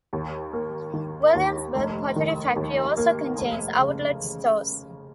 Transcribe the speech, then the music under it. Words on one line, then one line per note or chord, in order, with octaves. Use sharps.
Williamsburg Pottery Factory also contains outlet stores.
D#2
A#3
D#3
D#2
F1
D#3
D#2
A#3
F1
C#3